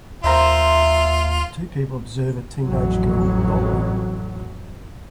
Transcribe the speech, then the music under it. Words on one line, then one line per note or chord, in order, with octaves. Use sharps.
Two people observe a teenage girl bowling.
D#2 F4 A#4 C5 E5
A1 F2 F#3